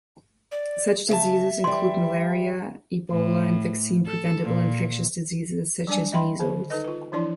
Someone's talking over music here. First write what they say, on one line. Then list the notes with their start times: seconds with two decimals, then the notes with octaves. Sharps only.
Such diseases include malaria, Ebola and vaccine-preventable infectious diseases such as measles.
0.52 D5
1.08 C#3 D5 E5 A5
1.64 E3 G3 C6
3.10 A2
4.06 A4
4.43 A#2
5.87 F#3 G3 D4 D5 G#5
6.12 D#5 E5 G5 B5 C6
6.39 D3 D#3 C5
6.70 D#4 A4 B4 D#5
6.84 F4 B4
7.12 E3 F3 D4 E4 D5 C6